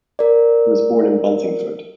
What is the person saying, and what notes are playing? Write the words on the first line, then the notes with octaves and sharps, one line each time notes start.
He was born in Buntingford.
A#4 D5